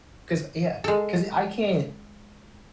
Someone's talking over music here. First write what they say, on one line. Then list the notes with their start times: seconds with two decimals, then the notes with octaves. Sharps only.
'cause, yeah 'cause I can't
0.84 G#3 A4